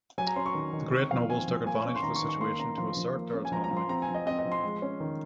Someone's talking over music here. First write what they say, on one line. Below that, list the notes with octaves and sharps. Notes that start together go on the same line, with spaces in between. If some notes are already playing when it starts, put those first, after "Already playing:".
The great nobles took advantage of the situation to assert their autonomy.
F#3 G#5
A#5
C#4 C6
C#6
D#3
D#3
C4 C#6
F3 F5
C4 G#5
F3
A#3 G#5
C#4 C#6
C6
D#3 A#5
C#6
D#3
C#6
A#3 C6
C#4 A#5
F3 C6
F3
A#3
C#4
G#5
F3 A#5
A#5
F3
C6
C4 A#5
G#5
F3
D#5
C4 D#5
D#5
F3
C6
G#3
C#4
D#3